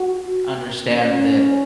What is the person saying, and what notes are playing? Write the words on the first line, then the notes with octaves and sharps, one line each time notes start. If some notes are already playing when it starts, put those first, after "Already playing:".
understand that,
Already playing: F#4
C#4